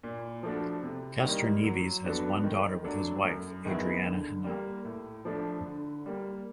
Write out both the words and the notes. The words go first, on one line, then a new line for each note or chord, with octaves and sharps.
Castroneves has one daughter with his wife, Adriana Henao.
A#2
F3 A3 D4 F#4
C3
D#3 G3 A#3
F#3
B3 D4 F#4 A4
D#3
F#3 A3 D4
F#2
D#3 G#3 B3 E4
D3
G3 A#3
A2
F3 A3 D4
D3
G3 A#3